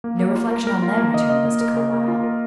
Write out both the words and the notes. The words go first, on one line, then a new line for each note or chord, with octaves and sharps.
"No reflection on them," returned Mr. Carlyle.
A#3
A#3
F4
A#4
A#4
F4
A#3
D#5
D#5
A#3
A#4
A#4
A#3
F4
A#4